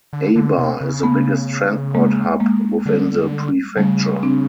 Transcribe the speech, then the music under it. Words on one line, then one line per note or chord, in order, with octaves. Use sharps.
Aba is the biggest transport hub within the prefecture.
D3
D3
C3
C#3
A3 B3
G#3 A#3
G#3 A#3
D3 G3 A3
C#3 G3 A3
C4 D4